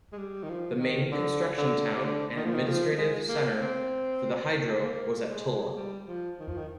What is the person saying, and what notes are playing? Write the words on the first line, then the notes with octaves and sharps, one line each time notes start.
The main construction town and administrative centre for the Hydro was at Tullah.
G#3
G3
D#3
F3
D#3
D3
D3
C3
D3
D#3
F3
D#3
F3
G#3
A#3
C4
G#3
A#3
G#3
G3
F3
D#3
F3
D#3